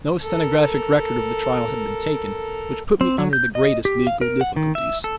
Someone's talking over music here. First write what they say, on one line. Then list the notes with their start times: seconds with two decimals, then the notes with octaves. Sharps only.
No stenographic record of the trial had been taken, which put me under the greatest legal difficulties.
0.21 A4 A#4
3.01 C4
3.18 F#3
3.33 G6
3.55 D#5
3.85 G4
4.07 F5
4.21 A#4
4.41 F#5
4.56 D#3
4.75 E5
5.04 A4